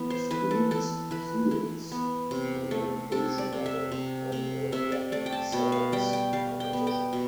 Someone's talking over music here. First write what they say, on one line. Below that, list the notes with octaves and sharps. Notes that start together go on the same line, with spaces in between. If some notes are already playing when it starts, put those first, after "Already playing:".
Sports fields are the location of an annual Rugby sevens competition.
Already playing: E3 B3
C5
E3 B4
A4
E3 A4
E3 B4
E3
B3
C3
A3
C3 A4
D5
C3
E5
C3
C3
C3 E5
D5
A3 D5
G5
A5
B2 G5
F5
G3 G5
G5
G3 F5
G5
B3
G5
B2